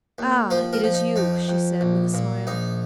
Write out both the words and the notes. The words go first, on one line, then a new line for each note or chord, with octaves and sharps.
"Ah! it is you," she said, with a smile.
D#2
F3 C5
A#4
F3
D#4
F2 D#4
F2
A#1
A#2
A#1 D#4